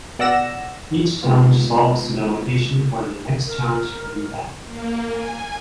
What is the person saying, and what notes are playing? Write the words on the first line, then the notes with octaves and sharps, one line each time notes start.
Each challenge solves to the location where the next challenge can be found.
B2 D5 F#5 E6 A#6 E7
D#3 G#3 A#3 B3 F4
A#4
A#3
G#5